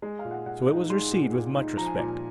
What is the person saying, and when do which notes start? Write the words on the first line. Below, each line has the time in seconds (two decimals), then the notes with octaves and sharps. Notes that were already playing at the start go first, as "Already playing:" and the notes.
So it was received with much respect.
0.02 G#3
0.19 F5
0.25 A#2
0.31 F#5
0.46 A#2 F#5
0.68 D#4
0.90 G#3 C6
1.12 A#2
1.33 A#2
1.55 D#4
1.77 F3 A#5
1.86 G#5
1.95 A#2 A#5